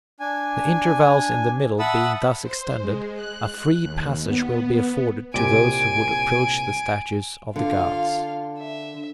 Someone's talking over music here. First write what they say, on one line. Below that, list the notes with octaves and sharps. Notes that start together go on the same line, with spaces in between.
The intervals in the middle being thus extended, a free passage will be afforded to those who would approach the statues of the gods.
D4 G#5
E5 F#5 A5 B5 D#6 E6
C5
G#3
F#6
D#2
B3
C2 A#2 G4 G#5 D7
D3 F4 F5
E5